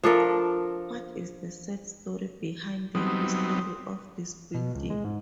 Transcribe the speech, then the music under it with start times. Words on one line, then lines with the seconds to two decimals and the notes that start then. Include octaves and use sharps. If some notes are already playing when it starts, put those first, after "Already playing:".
What is the sad story behind the history of this building?
0.03 F3 D4 A4 A#4
2.95 F#3 G3 B3 C4 D#4
4.54 B2
4.75 C#2
4.90 G#3
5.04 G#2